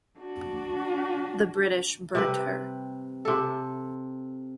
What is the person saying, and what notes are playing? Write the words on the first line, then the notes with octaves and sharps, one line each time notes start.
The British burnt her.
D4 F#4
C3 G3 B4
C3 A4